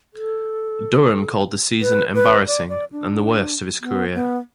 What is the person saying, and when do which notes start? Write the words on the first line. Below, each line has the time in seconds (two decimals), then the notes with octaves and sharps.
Durham called the season "embarrassing" and the "worst" of his career.
0.14 A4
1.81 B4
2.14 B4
2.47 D5
2.69 D5
2.92 D4
3.81 B3
4.14 B3